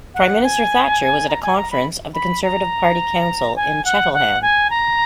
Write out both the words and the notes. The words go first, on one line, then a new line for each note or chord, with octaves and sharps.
Prime Minister Thatcher was at a conference of the Conservative Party Council in Cheltenham.
F#5
G#5
A#5
G#5
A#5
B5
B5
A#5
G#5
F#5
F#5
G#5
A#5